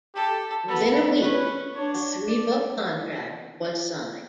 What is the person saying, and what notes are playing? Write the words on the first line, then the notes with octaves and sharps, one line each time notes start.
Within a week, a three-book contract was signed.
G4 A4
B3 A4
C#4 B4
D4 C#5
D5